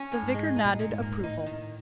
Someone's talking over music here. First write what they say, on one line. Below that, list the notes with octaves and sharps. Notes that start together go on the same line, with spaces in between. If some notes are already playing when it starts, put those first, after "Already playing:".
The vicar nodded approval.
Already playing: C#4
A2
G#2
G#3
A2 D#4
A#2
A2
A#2
G#2
A#3
A2 D#4
D#3